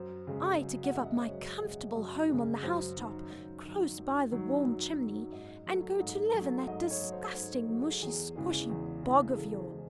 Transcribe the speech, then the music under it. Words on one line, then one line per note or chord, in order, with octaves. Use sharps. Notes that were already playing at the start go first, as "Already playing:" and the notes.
I to give up my comfortable home on the house-top, close by the warm chimney, and go to live in that disgusting mushy-squshy bog of yours!
Already playing: F#2 C5
C#3 G#3
F#2
F#5
C#3 G#3 E5
D#5
C#5
F#2 C5
C#3 G#3
F#2
C#3 G#3
F#2 C5
D#3 F#3
F#2
D#3 F#3
F#2
D#3 F#3
F#2
D#3 F#3
G#2 D#5
F#3 A3
G#2
F#3 A3
G#2 D#5
D#5
C#5
F#3 A3
C5
G#2 C5
A4
F#3 A3
G#4
E2 G#4
C#3 E3 G#3
E2
C#3 E3 G#3
G#4
E2 A4
C5
C#3 E3 G#3